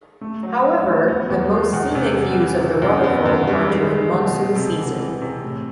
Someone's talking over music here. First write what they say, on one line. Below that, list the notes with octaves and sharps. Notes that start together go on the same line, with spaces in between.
However, the most scenic views of the waterfall are during monsoon season.
A3
F#3
F#3
A3
B3
E2
G#3
E2
C3
G3
E3
C3
F#2
B3
F#2
G3
G#3
G#3
B2
G#3
C3
E3
E3
C3
A2